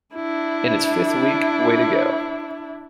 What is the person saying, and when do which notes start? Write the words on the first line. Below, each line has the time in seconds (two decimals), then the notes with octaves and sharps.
In its fifth week Way to go!
0.15 D4 E4